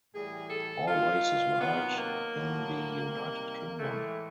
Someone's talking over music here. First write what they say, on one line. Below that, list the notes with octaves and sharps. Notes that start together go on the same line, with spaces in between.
All races were held in the United Kingdom.
A2 E3 G3 G#4
A4
G2 D#3 G3 F4
C3 D#3 F#3 B3
A#3
A2 F#3
C3 D#3 G3
A2 E3 G#3 A3